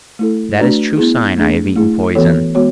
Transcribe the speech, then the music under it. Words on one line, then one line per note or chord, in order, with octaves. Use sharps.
That is true sign I have eaten poison....
A3 E4 A4
A3 D4 F#4 B4 D5
B3 E4 G#4
A3 D4 G#4
A3 E4 G#4
E3 B3 F#4 A4 C#5
G#3 B3 F#4 C#5